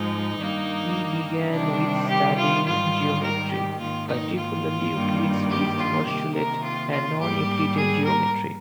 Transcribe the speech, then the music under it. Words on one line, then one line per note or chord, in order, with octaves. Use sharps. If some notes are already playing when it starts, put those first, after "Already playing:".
He began with studying geometry, particularly Euclid's fifth postulate and non-Euclidean geometry.
Already playing: G#2 F3 G#3 D#4
G2 D#3 G3 A#3
C3 D#3 G3 D4
G4
F4
G#2 D#3 G3 F4
A#4
G4
G#2 D#3 A#3 F4
D#4
F4
G2 D#3 G3 A#3
G4
F4
C3 D#3 A#3 G4
A#4
F4
F4
G#2 G3 A#3 G4
G#4
A#4